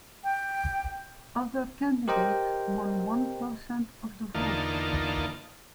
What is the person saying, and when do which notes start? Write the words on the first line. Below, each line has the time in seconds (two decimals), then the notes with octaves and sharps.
Other candidates won one percent of the vote.
0.24 G5
2.08 G4 A#4 C5 D#5 G5
4.35 E2 D3 A#3 D#4 F4 A5